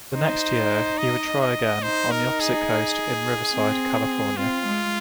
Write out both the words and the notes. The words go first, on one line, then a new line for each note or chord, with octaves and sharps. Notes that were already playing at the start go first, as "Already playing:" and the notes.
The next year, he would try again, on the opposite coast, in Riverside, California.
D#4 C5
D#5
D#5
D#4 C5
A#4
G#4
C4
C4 F4
G#3